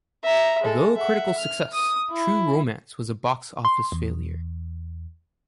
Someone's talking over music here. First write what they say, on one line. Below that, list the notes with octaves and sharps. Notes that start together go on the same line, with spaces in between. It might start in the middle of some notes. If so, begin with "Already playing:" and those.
Although a critical success, "True Romance" was a box office failure.
E5 A#5
G#3 A4
E5 F#5
F6
D#6
E4
C6
E2